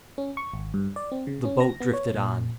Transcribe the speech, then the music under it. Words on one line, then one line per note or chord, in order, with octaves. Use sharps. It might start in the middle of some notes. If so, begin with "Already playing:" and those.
The boat drifted on.
C#4
C#6
G#1
G2
D5
C4
C#3
C#4
A#6
B3
C#5
A#2